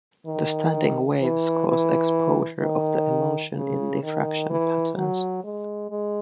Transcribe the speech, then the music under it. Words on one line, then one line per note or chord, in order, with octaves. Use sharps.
The standing waves cause exposure of the emulsion in diffraction patterns.
D#3
E3
E3
D#3
C#3
D#3
E3
F#3
G#3
G#3